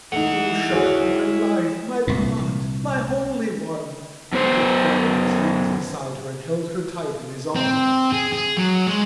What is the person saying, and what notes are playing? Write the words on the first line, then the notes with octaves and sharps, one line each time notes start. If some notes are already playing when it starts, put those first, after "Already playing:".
"Grusha, my life, my blood, my holy one!" Mitya fell on his knees beside her and held her tight in his arms.
A3 D#4 E4 F#5
F#4 G#4 C#5
C2 A#2
F#2 B3 C5
C4
G#4
G#4
F#3
G#3